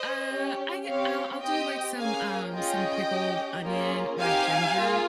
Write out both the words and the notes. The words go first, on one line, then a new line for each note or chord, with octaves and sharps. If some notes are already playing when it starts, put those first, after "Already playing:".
uh, I get I'll I'll do like some, um, some pickled onion or ginger.
Already playing: C5 D#5
C#4 G4
C4 G4 C#5 F5
C4 G4 D#5 G5
A#3 C#4 G#4 F5 G#5
C#4 F4 G#4 D#5 G5
C#4 G4
A#3 C#4 F4 G#4
C4 D#4 G4 F5 G#5
A#3 F4 G#4